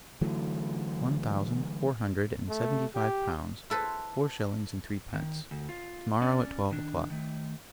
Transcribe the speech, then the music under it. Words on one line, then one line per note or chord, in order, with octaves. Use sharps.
One thousand, four hundred and seventy-five pounds, four shillings, and threepence, tomorrow at twelve o'clock.
D3 E3 F#3 A3
A3
G4
E4 A4 B4 C5
D#3
D2
F4
C#4 D5
D#3 D4
D#3 A3